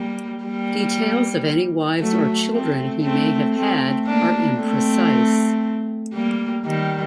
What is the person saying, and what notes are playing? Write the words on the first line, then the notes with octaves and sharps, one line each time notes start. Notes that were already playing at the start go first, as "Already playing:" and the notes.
Details of any wives or children he may have had are imprecise.
Already playing: G3 A#3
G3 A#3
F#3 A3
A3 C4
A3 C4
A3 C4
A#3 D4
A3 C4
G3 A#3
D#3 G3